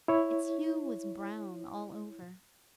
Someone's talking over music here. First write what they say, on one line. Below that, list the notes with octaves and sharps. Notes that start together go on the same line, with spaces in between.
Its hue was brown, all over.
E4 C#5